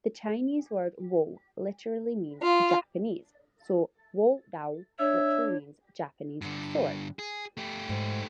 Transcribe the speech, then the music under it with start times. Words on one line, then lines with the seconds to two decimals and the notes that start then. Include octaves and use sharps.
The Chinese word "wo" literally means "Japanese", so "wodao" literally means Japanese sword.
2.43 F4
4.99 D4 C#5 E5
6.42 G2 D3
7.19 G#4
7.57 A3 G4
7.89 G#2